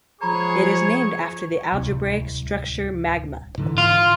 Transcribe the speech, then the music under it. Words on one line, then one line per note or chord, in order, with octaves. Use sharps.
It is named after the algebraic structure magma.
F3 G#3 G#4 C#5 A#5 B5 C#6
D1 C2
G#2 D3 E3
F4